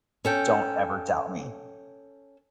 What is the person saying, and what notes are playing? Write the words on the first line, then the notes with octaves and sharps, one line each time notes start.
"Don't ever doubt me,"
C#4 A4 G5